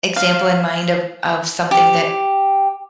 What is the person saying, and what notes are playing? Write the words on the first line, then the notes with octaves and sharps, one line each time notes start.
example in mind of of something that
F5
G4